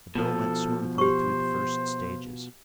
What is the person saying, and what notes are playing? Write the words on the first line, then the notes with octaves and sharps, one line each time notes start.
The bill went smoothly through the first stages.
B2 F3 A4
G4 C5 C#6